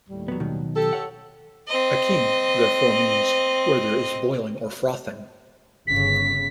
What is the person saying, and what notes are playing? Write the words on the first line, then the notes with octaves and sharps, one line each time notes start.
Akean therefore means "where there is boiling or frothing".
D#2 A2 G3
F#3 B3
B2 D#3 F#3
G4 A4
C#5 F#5
C4 D#5
G1 C#3 B6